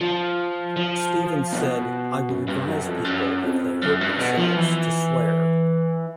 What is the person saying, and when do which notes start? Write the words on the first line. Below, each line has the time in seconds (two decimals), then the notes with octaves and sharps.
Stephens said "I would advise people, if they hurt themselves, to swear".
0.01 F3
0.76 F3
1.53 B2
2.29 F#2
2.48 G2
2.68 F#2
2.87 F2
3.05 F#2
3.43 F2
3.82 F#2
4.01 G2
4.19 B2
4.38 F3
4.57 E3